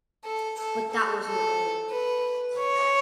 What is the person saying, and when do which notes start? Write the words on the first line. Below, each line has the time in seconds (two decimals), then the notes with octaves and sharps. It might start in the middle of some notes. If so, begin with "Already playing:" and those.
But that was not all.
0.24 A4
0.58 A4
0.91 A4
1.24 A4
1.91 B4
2.58 C#5